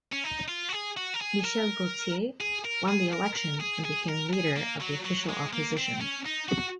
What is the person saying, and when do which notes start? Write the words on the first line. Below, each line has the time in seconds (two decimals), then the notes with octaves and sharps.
Michel Gauthier won the election and became Leader of the Official Opposition.
0.13 C#4
0.24 D#4
0.48 F4
0.69 F#4
0.73 G#4
0.97 F#4
1.14 A#4
1.21 G#4
1.45 A#4
2.40 G#4
2.65 A#4
2.89 G#4
3.13 A#4
3.37 A#4
3.61 G#4
3.85 G#4
4.09 A#4
4.33 G#4
4.57 A#3
4.81 F#3
5.05 F#3
5.29 G#3
5.53 A#3
5.77 C4
6.01 C#4
6.25 D#4
6.49 F#4